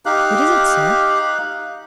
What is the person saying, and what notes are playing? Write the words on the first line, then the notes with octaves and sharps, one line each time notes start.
"What is it, sir?"
D#4 G4 F5 F#6